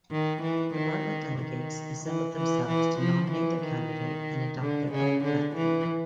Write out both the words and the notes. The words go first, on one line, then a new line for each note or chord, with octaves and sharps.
The Bartlett delegates assembled themselves to nominate their candidate and adopt their own platform.
D#3
E3
D#3
D#3
E3
E3
E3
F3
E3
D#3
D3
C#3
D3
E3